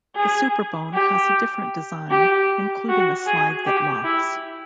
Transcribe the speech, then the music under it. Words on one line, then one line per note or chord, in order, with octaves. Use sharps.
The Superbone has a different design, including a slide that locks.
G#4
G4
G4
F#4
G#4
G4
E4